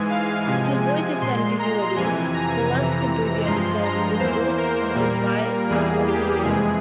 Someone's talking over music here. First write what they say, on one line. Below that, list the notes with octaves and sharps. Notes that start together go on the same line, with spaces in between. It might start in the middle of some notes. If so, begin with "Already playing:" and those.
To avoid this ambiguity, the less abbreviated terms "lsbit" or "lsbyte" are often used.
Already playing: G#2 E3 G#3 G#5
F5
C3 F3 G#3 G#5
G#5
A#2 G#3 C6
A#5
F2 C3 E3 G#5
A#5
F2 C3 E3
G2 F3 G#3 C6
A#5
E2 E3 A#3 C5
A#4
A#2 G3 A#3
E2 E3 G3 A#3 G#4
G4
F2 C3 E3 G#3 G#4